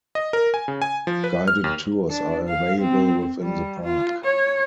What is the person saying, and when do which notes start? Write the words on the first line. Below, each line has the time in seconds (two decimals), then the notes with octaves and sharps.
Guided tours are available within the park.
0.15 D#5
0.33 A#4
0.54 G#5
0.68 C#3
0.82 G#5
1.07 F3
1.24 B4
1.48 F6
1.64 D#2
2.10 D4
2.48 F5
2.80 C4
3.43 G3
3.83 F4
4.24 C#5